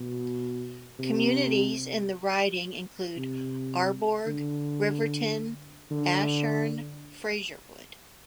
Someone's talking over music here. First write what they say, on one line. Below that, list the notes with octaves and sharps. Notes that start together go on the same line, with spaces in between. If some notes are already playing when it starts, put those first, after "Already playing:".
Communities in the riding include Arborg, Riverton, Ashern, Fraserwood.
Already playing: B2
C3
C3
D3
D3